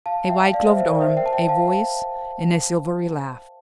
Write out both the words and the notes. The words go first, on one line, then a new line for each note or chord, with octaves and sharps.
A white-gloved arm, a voice, and a silvery laugh!
F5 A5
E5 G5
D5 F5
C5 E5
C5 E5
A#4 D5
C5 E5
E5 G5
A5
E5 G5
F5 A5